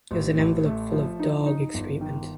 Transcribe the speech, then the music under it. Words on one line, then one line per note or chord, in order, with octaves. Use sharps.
It was an envelope full of dog excrement.
A1
A1
A3
F3
D#4
D#4
G1
D#3